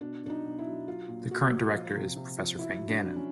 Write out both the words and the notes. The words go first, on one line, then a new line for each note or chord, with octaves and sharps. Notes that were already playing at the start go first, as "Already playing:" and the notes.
The current Director is Professor Frank Gannon.
B2 D4
F#3 D4
D#4
B2
E4
F#3
F#3 F4
A#2
F#3 F#4
A#2
F3 F4
C3
C3
F3
F#3 E4
F#3
D4
F#3
C#4